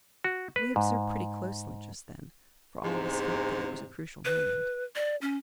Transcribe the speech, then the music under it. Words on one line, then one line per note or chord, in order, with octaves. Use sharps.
We observed pretty closely just then, for all of us felt that it was a crucial moment.
F#4
B4
G#2
E2 G#2 C3
B4
D5
C#4